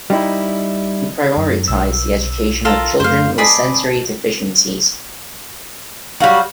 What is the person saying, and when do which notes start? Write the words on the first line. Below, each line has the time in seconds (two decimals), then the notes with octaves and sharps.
He prioritized the education of children with sensory deficiencies.
0.10 G3 D#4 E4
1.37 F#2
1.68 B1 E6
2.65 F4 A4 A#4
3.00 F#2 A3 C5 F5
3.38 G#4 C5 D5 D#5 A5 B5
6.20 F#3 G3 F#4 F5